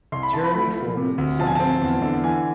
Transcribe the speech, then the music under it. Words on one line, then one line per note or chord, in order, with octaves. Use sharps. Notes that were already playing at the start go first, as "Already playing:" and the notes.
Jeremy Forman sat out the season.
C2 C6
B5
C2 A5
B5
A3 B5
F3
C3
D2
F3 A5
G#5
C4 A5
E2
D3
E3 G#5